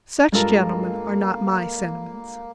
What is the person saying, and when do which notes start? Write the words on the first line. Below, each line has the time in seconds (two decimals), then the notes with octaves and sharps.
Such, gentlemen, are not my sentiments.
0.32 G2 G#3 A#3 F4 A4 A#4